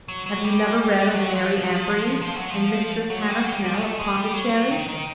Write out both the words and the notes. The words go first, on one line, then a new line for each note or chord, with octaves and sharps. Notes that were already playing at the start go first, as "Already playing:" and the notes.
Have you never read of Mary Ambree? and Mistress Hannah Snell of Pondicherry?
F#3
F#3
G3
F#3
F3
F3
F#3
F3
F#3
G3
F#3
G3
G3
G#3
A3
G#3
G3
F#3
D#3
D#3